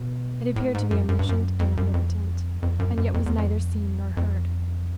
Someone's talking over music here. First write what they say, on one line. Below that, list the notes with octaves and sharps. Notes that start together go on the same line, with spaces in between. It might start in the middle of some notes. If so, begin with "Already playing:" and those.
It appeared to be omniscient and omnipotent, and yet was neither seen nor heard.
Already playing: B2
A2
G#2
F#2
F#2
G2
F#2
F2
F#2
F2
F2
F#2
F#2
F2
E2
F2
F2